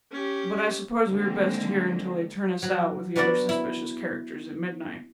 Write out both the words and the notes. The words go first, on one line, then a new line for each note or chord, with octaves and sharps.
But I suppose we are best here until they turn us out with the other suspicious characters, at midnight.'
C#4 G4
D3 D#3 G#3 A#3 C4
F#3
B3 D4 F#4 A#4 D5
E4